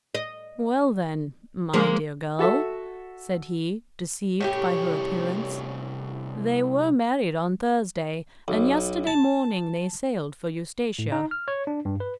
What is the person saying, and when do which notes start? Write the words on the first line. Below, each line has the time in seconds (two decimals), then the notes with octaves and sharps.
"Well then, my dear girl," said he, deceived by her appearance, "they were married on Thursday, and yesterday morning they sailed for Eustatia."
0.15 D#5
1.74 F3 G#3 A#3
2.39 F#4 A4 E5
4.41 C2 A2 C#4 G4 C#5
8.48 B1
9.07 A5
10.99 A2
11.12 D#4
11.31 F6
11.48 C#5
11.67 D4
11.85 G2
12.00 B4